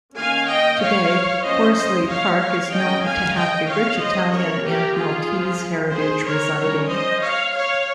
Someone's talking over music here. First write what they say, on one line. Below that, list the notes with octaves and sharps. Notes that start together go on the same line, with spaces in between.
Today, Horsley Park is known to have a rich Italian and Maltese heritage residing.
D#3 A#3 C#4 F5 G#5
D#5 G5
C#5 F5
F3 A#3 C#4 C5 D#5
C5 D#5
C#5 F5
C#5 F5
D#3 G#3 C#4 D#5 G5
F5 G#5
D#5 G5
C#5 F5
G3 C#4 C5 D#5
A#4 C#5
G4 A#4
F4 G#4
F3 C4
G#4 C5
A#4 C#5
G3 C#4 A#4 C#5
C5 D#5
C#5 F5
C#5 F5